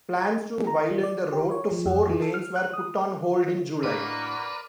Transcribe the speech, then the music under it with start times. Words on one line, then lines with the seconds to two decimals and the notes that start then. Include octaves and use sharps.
Plans to widen the road to four lanes were put on hold in July.
0.67 A#5
0.91 G3
1.03 D5
1.33 G4
1.51 C#5
1.71 F3
1.86 F2
2.09 E3
2.22 A4
2.34 F6
2.56 F#6
2.73 D#6
3.83 A2 A#3 D4 F#4 A#4 B4 D5 D#5